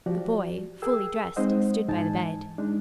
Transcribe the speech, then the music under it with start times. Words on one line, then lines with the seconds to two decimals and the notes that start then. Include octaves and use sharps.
The boy, fully dressed, stood by the bed.
0.06 F3 F#4 G4 D5
0.82 G#4 A#4 G5 E6
1.36 G#3 C4 D#4 C5 D#5 F#5
1.88 G#2 E3 D#4 G#5 A5
2.58 G#3 D4 D#4